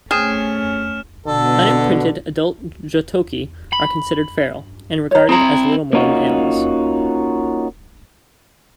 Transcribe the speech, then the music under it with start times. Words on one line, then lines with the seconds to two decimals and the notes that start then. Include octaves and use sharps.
Unimprinted adult Jotoki are considered feral, and regarded as little more than animals.
0.11 A3 C4 C#4 G#4 F6 E7
1.26 B2 D3 A4
3.73 B5
5.11 C#5 A#5
5.29 C4 E4 G#4 A#5
5.93 A#3 C#4 D#4 F4 F#4